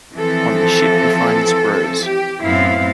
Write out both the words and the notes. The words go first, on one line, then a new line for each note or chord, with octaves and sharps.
On the ship he finds Rose.
E3 F3 C4 A4
G4
F#2 A2 B3 C4 E4 F5